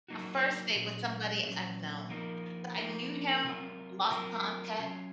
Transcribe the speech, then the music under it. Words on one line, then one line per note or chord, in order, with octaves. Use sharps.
A first date with somebody I've known, but I knew him, lost contact
F#3 A#3 D#4 F#4
A#2 F#3 C#4
A#2 F#3 C#4
F3 A#3 D#4 A#4
F3 A#3 D#4 A#4
C3 F#3 C4 F4 A#4
C3 F#3 C4 F4 A#4
F#3 C#4 F4